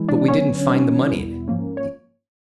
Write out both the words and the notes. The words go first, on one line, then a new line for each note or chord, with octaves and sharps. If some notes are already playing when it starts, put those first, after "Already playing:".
But we didn't find the money in it.
Already playing: E3 G#3 E4
D4 D5
D3 F#3 B3 C#4 D4 C#5
E3 G3 B3 D#4
E2 B2 G3 B3 E4
G#2 F3 A#3 C#4
C#5